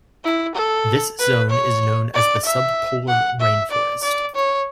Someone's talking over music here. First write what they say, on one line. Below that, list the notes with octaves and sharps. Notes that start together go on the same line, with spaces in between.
This zone is known as the"sub-polar rainforest".
E4
A4
B4
C#5
D5
E5
F#5
E5
D5
D5
C#5